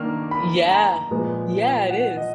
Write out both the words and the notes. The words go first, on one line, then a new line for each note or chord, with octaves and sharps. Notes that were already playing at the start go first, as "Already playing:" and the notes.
Yeah. Yeah, it is.
Already playing: D#3 A#3 D4 F6
B5
A#5
A#2 F3 G#3 B3
F#5
D#5